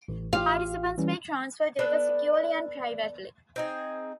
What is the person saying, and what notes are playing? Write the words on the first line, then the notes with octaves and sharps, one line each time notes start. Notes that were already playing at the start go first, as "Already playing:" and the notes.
Participants may transfer data securely and privately.
A1 E3
F4 G4 F5
E3 G3 C#4
B3 D4 A4 D5
C4 D#4 G#4